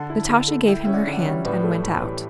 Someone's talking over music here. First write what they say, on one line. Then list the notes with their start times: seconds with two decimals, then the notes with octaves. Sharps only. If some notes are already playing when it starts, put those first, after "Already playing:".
Natasha gave him her hand and went out.
Already playing: D3 F#5 A5
0.10 E4
0.29 D3
0.48 A3
0.68 E4 E5 G5
0.85 C#4 E5
0.94 D5 F#5
1.07 D3
1.13 F#5
1.19 C#5 E5
1.26 G3
1.45 A2 B4 D5
1.64 A3
1.71 A4 C#5
1.83 A2
1.96 G4 B4
2.03 E3